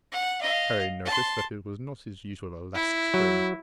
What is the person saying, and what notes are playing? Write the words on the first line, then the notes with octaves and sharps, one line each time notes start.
Harry noticed that it was not his usual elastic spring.
F#5
D#5 F5
A5 C6
E4
F#3